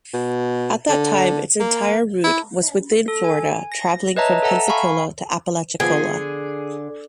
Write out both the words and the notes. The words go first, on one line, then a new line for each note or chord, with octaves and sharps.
At that time, its entire route was within Florida, traveling from Pensacola to Apalachicola.
B2
D3
A#3
E4
A4
G#5
A#6
B4 C#5 D#5 E5 A5 A#5
A4 E5 F#5 A5 A#5
F5 G#5 B5 C#6
D3 F3 B3 G#4 G#5